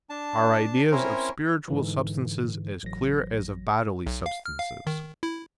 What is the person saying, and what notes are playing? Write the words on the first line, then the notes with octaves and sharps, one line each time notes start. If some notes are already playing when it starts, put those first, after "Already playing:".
Our Ideas of spiritual Substances, as clear as of bodily Substances.
D4 A5
C4 C#4 E4 A#4 C5 C#5
G#2 D3 E3
A1 F#3 A#6
B1
F5
F6
F5
D#3
E4